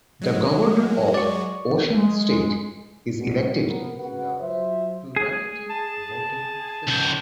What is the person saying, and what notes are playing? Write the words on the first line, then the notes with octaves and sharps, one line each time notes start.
The Governor of Osun State is elected using the plurality voting system.
F#3 G#3
D5 C#6
G#3
G3 G#3 B3 C#4 D4 F#4
C3 F3 B3 A#4
C#3 F#4 B4 F#5
F#3 F4 C5 E5
G#4
A5
C#2 C5